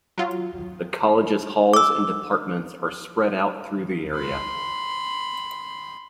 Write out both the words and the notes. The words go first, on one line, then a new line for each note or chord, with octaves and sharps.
The college's halls and departments are spread out through the area.
F#3 F4
D6 E6
B5 C6